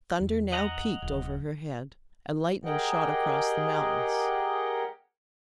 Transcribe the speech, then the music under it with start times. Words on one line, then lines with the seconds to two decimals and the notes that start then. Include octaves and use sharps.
Thunder now peaked over her head, and lightning shot across the mountains.
0.20 E2
0.52 D#5 F#5 A#5
1.02 D1
2.65 G4 G#4 A#4 D#5 F#5 G5